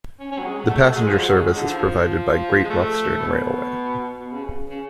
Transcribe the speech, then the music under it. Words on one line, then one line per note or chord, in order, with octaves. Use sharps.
The passenger service is provided by Great Western Railway.
C#4
C#4
F#3
G#3
F#3
A3
A3
F#3
G#3
F3
F#3
G#3
D3
F3
G#3
A3
B2
B2
C#3
C#3